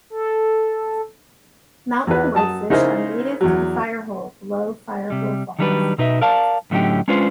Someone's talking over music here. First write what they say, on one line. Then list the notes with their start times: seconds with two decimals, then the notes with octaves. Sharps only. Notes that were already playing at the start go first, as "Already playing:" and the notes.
Mountain whitefish are native to the Firehole below Firehole Falls.
0.10 A4
2.07 E2 B4
2.35 F#2 A5 D#6
2.70 C#3 D#4 E4 A#4 C5
3.41 E2 F#3
5.10 C3 G3
5.59 D#3 F#3 G3 D4 G#4 B4
5.98 B1 B2 D#4 B4 D#5 E5
6.21 A#4 D5 F5 A5
6.71 A2 D3 F#3 C#4 D#4 G4
7.08 G#3 C#4 D4 F4 B4 C5